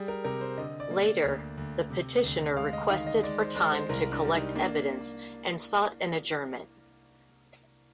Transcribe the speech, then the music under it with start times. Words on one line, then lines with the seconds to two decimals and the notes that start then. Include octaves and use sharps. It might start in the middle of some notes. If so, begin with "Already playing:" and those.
Later, the petitioner requested for time to collect evidence and sought an adjournment.
Already playing: G3 G#4
0.08 A#4
0.24 C3 A#4
0.41 C5
0.58 D3 D#5
0.80 D5
0.91 A#3
1.02 D5
1.24 D2
1.58 D2
1.90 C3
2.24 D2
2.57 G#3 F5
2.73 D#5
2.90 D#3 F5
3.07 D#5
3.23 G#3 D5
3.39 C5
3.56 G#3 D5
3.72 C5
3.89 C2 A#4
4.11 D4
4.22 G3
4.33 D#4
4.55 A#3 D4